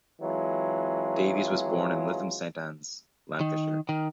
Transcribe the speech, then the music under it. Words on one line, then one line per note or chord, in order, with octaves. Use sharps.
Davies was born in Lytham Saint Annes, Lancashire.
E3 F#3 G#3 C4 F4
D#3
D#3